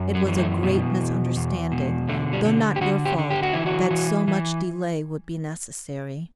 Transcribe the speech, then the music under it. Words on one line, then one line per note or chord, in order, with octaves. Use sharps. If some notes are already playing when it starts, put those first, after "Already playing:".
It was a great misunderstanding, though not your fault, that so much delay would be necessary.
Already playing: F#2
F#3
E3
A3
B2
E2
E2
B2
D3 A3
G3
D3
G4
D3 F#4
G4
D3
G4
F#4
E3 E4
F#4
E3
E3